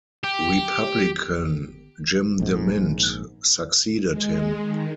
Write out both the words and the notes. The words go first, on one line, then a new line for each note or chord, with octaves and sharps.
Republican Jim DeMint succeeded him.
G4
A#1 G#2
G#3
D#3